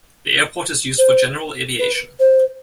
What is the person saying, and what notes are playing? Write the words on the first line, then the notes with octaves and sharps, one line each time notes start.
The airport is used for general aviation.
C5
B4
C5